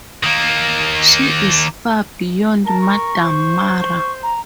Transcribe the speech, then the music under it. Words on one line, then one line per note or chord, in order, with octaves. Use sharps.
She is far beyond Madame Mara.
D#3 A#3
A#4 A5
C#6
C5
C#6
A#5